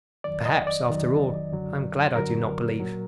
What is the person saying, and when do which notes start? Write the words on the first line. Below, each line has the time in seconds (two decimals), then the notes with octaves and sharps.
Perhaps, after all, I am glad I do not believe.
0.24 F2 D#3 F#3 D5
0.45 D#5
0.67 D5
0.89 F2 D#3 F#3
1.52 F#2 D3 F#3
2.16 F#2 D3 F#3 A#4
2.80 A#2 F#3